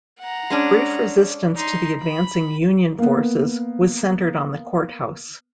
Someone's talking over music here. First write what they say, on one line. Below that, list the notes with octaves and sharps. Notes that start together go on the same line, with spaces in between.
Brief resistance to the advancing Union forces was centered on the courthouse.
F#5 A#5
G#3 C#4 D4
D#4 C6
B5
A#3 B3